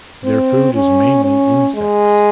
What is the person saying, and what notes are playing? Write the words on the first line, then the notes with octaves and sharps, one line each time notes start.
Their food is mainly insects.
C4
C#4
C#4
G#3